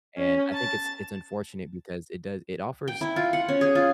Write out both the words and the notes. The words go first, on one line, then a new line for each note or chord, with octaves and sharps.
And I think it's it's unfortunate because it does it offers,
C#4
A5
G5
E4
F4
F#5
C#4
G#4
F4